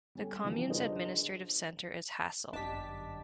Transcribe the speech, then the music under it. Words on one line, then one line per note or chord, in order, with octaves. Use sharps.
The commune's administrative centre is Hassel.
G3 C#4 A4
C#3 E3 F3 G3 D4
D4 F4 G#4 A#4 C5 D#5
G1 F#2 D4 G4 D#5 A5 D6 B6